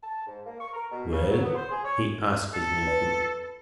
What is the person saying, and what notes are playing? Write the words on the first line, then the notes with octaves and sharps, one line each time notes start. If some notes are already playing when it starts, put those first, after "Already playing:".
"Well?" he asked his nephew.
A5
G#2
A#3
C#6
A#4
B2
C#3
F#3
B3
C5
G#4
C#5
A4
B4